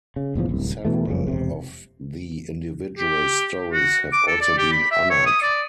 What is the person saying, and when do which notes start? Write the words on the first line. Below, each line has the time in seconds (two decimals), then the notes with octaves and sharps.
Several of the individual stories have also been honored.
0.16 C#3
0.35 F1 A#1 E2 F3
0.49 D1 C2
0.85 B2 E3 A3
1.08 F#1 C2 F2 C#3
1.28 E1 C3
2.98 G4
3.71 F#4
4.13 D6
4.27 A4
4.41 D5
4.58 G4
4.72 B5
4.91 E5
5.10 C#5
5.26 D#6
5.42 D5